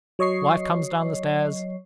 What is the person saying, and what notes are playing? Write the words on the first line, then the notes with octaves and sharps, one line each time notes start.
Wife comes down the stairs.
F#3 C#5 D#5 C#6 C7